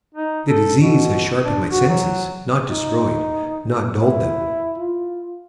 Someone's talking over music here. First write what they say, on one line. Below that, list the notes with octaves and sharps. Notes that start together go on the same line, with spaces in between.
The disease had sharpened my senses--not destroyed--not dulled them.
D#4
A4
B2
D4
F#4
F#3
D#4
E4
F4